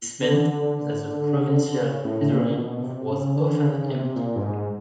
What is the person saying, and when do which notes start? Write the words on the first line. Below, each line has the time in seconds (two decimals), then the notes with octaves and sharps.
This meant that the provincial treasury was often empty.
0.22 D3
1.68 D3
1.79 C#3
2.05 A2
2.31 A#2
2.57 B2
2.83 C3
3.11 C#3
3.36 D3
3.63 C#3
3.78 C#3
3.89 C3
4.16 A#2
4.36 G2
4.41 G#2